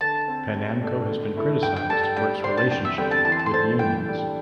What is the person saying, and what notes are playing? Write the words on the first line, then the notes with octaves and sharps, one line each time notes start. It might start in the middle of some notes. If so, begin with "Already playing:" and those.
Panamco has been criticized for its relationship with unions.
D3 A5
C4 A4
G3
D4 A4
D3
A3 E4 A4
G2 G5
G5
G3 D4 A4 A5
G5
G3 G5
D4 C5 C6
A5
E2 G5
E5
D3 G3 C4 G5
A5
E3 A5
C6
A5
C6
A3 D4 A4 C5 A5
E3 G5
G3 D4 A4